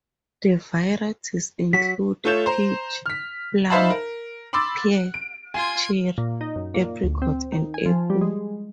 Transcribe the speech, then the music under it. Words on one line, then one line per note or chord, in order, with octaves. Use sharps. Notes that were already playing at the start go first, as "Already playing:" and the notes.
The varieties include peach, plum, pear, cherry, apricot and apple.
F#3 F#4 B6
A3 F4 A4 C#5 G6 E7
C5 A#5
F6 B6
D#4 C5 E5 F5 A5 B5
A#4
B5 C6 D6 E6 A6
D7
F4 G#5 C6 G#6
A#2
D#4
F#2
A#2
D2
C4
D#3
G#5
F3
G3
G#3